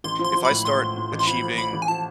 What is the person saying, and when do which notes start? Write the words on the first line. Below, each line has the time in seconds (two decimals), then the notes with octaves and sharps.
if I start achieving
0.04 A1 C6
0.19 F3
0.24 C6
0.35 F3
0.45 B5
0.50 A2
0.65 A2 C6
0.81 A2
0.97 A2
1.12 A1
1.19 C6
1.27 F3 B5
1.42 F3
1.58 F3 B5
1.73 A1
1.82 G#5
1.88 F3 A5